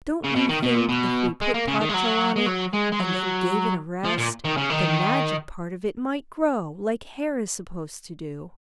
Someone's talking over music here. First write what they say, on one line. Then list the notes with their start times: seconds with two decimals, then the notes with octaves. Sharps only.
Don't you think, if we put Tatcho on it, and then gave it a rest, the magic part of it might grow, like hair is supposed to do?'
0.24 C#3
0.36 B2
0.49 D#3
0.63 B2
0.75 A#2
0.89 B2
1.41 G#3
1.54 A#3
1.68 C#3
1.81 D#3
1.89 G#3
1.94 F#3
2.36 G#3
2.46 F#3
2.73 G#3
2.92 G#3
2.99 F#3
4.05 F3
4.18 A#2
4.45 D#3
4.57 C#3
4.70 D#3